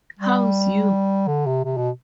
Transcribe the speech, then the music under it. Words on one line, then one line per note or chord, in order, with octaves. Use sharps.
Hows you?
G3
D3
C3
C3
B2